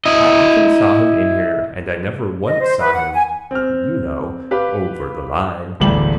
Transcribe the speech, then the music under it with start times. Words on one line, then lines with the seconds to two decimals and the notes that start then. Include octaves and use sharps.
I often saw him in here and I never once saw him--you know, over the line.
0.05 E4 D#5
2.46 D#5
2.61 C5
2.79 B4
2.93 F#5
3.13 G#5
3.51 C4 F6
4.51 G4 B4 F5
5.80 E1 A1 D2 G3 F#7